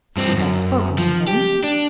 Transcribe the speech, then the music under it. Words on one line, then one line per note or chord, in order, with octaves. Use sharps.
She had spoken to him.
G2 C4
F#2
F3
G4
D4